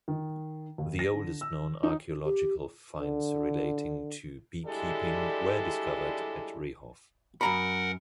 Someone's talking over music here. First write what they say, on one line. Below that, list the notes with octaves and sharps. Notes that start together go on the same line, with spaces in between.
The oldest known archaeological finds relating to beekeeping were discovered at Rehov.
D#3
D#2
A#6
D3
E6
D#4
G4
D3
D3 G3 G#3 E4 G4 A4
F#2 A#4 F#5 A#5 B5